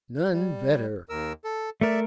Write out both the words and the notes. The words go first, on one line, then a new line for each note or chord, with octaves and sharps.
None better.
G3
D#2 A#4 E6
A4
A3 A#4 D5 E5